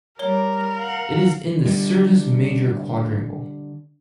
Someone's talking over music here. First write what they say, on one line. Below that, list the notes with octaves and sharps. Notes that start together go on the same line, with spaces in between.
It is in the Syrtis Major quadrangle.
G3 A#4 C#5 G7
F5 F#5
D3 G3